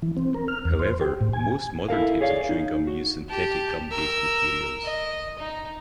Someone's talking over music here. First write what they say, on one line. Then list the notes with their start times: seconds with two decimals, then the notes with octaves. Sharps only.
However, most modern types of chewing gum use synthetic gum based materials.
0.02 E3
0.17 C4
0.34 A#4
0.48 F6
0.65 E2
0.79 C5
1.01 G4
1.21 A2
1.33 G#5
1.89 E4 A4 A#4 F5
2.21 G#4 C#5 D5 F5
2.49 D#4
2.87 F#4
3.30 G4 A5
3.91 A#4 E6
4.84 D#5
5.39 D#4